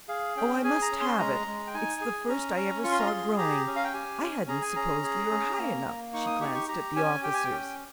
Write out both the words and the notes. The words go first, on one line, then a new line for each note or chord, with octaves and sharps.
'Oh, I must have it--it's the first I ever saw growing; I hadn't supposed we were high enough.' She glanced at the officers.
G#4 F5
C#4 G5
G#4 G#5
A#5
C#4
C6
G#3 A#5
G#3
G5
D#4 G#5
G#4
C#4 A#5
C#4
F4 C#6
C6
A#5
G#4 C6
G4 A#5
C#4
F5
G5
G4 G#5
C#4
G#4 A#5
G#5
C#4 A#5
G#4
C#4
A#3
A#3
D#4 C#6
D#6
G4 C#6
C#6
G4 A#5
C#4 G#5
G4 G5
G#5
G5
C#4